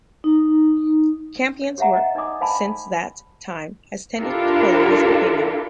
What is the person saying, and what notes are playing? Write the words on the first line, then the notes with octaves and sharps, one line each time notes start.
Campion's work since that time has tended to polarize opinion.
D#4
C#5
G4 C#5 E5 F#5 A#5
D#5
D#4 D5 D#5 G#5 D6 D#6
C5 D5 F5 G#5 A5 B5
D4 E4 F4 G4 A4 A#4